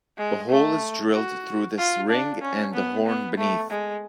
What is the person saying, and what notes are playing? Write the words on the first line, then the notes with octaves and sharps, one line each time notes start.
A hole is drilled through this ring and the horn beneath.
G#3
A3
F#4
F4
D4
C#4
B3
B3
A3
G#3